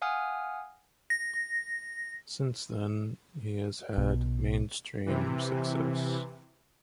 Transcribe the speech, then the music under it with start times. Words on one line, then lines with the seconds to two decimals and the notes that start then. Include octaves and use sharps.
Since then he has had mainstream success.
0.02 F5 F#5 G#5 D#6 F6
1.10 A#6
3.97 B1 B2
5.06 C3 E3